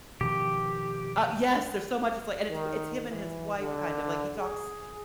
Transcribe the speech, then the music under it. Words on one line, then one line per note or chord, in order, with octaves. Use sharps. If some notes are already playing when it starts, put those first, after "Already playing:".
uh, yes there's so much it's like, and it's w it's him and his wife kind of like, he talks,
B2 D#3 F3 G4
D#3
E3
D3
G#4